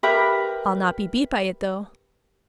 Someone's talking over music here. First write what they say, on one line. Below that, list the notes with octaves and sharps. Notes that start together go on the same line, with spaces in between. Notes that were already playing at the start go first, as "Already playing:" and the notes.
I'll not be beat by it, though.
G4 A#4 B4 E5